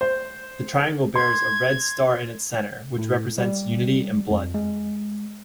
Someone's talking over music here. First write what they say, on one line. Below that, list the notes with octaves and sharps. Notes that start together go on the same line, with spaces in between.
The triangle bears a red star in its centre, which represents unity and blood.
C5
C6 G#6
A2
G3
F2
G#3